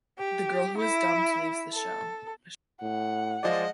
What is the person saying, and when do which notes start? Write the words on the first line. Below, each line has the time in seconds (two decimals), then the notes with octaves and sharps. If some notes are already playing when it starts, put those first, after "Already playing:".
The girl who is dumped leaves the show.
0.18 G4
0.77 E4
1.72 A4
2.82 A2 F#5
3.43 F3 G#3 D5 D#5